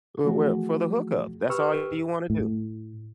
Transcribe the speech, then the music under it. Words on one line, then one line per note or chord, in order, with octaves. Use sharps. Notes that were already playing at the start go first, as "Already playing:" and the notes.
Wha where for the hookup, that's all you wanna do.
E3 F3 A3 F#4 G#4
G4 B4 G5 C#6 E6 F6
A2